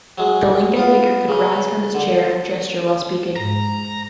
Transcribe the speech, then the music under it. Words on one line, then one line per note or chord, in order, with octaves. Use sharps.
The Lincoln figure could rise from his chair and gesture while speaking.
F#3 G#3
B3 F4
C#3
D3
G#2 A#5